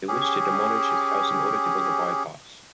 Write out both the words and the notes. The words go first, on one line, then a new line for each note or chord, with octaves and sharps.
They wish to demolish his house in order to build a bypass.
C#4 G4 G#4